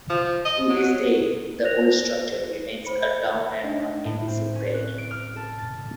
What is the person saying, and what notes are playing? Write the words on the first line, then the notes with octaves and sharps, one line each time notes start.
To this day, the old structure remains a town landmark in disrepair.
F3
D#5
F#3
A#4 C5 F#6 A#6 F7
C5 B5 C#7
E5
D4 D#4 D#5
A2
C4
C#4
F#6
D7
F6
A4
A6